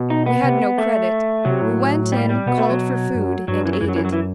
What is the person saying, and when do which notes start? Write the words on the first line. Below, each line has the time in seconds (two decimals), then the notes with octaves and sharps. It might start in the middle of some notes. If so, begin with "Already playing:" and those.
We had no credit; we went in, called for food and ate it.
Already playing: B2
0.10 D#4
0.26 B3
0.44 C3
0.78 A3
1.45 C3 F#3
1.62 A2
2.12 G3
2.29 G3
2.46 B2 B3
2.58 A3
2.69 F#3
3.15 G2
3.25 F#2
3.48 G2 F#3
3.65 F#2 E3
3.73 F#3
3.81 F#2 E3
3.89 F#3
3.96 E3
4.05 F#3
4.13 E3